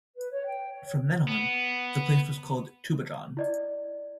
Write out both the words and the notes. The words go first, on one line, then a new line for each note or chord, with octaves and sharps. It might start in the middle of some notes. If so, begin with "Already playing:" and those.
From then on, the place was called "Tubajon".
B4
C#5
G5
C#5
B3
E4 D5 D#5